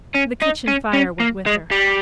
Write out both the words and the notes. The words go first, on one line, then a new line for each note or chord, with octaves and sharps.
The kitchen fire went with her.
C#4
D#4
C#4
C#4
A#3
G#3
G3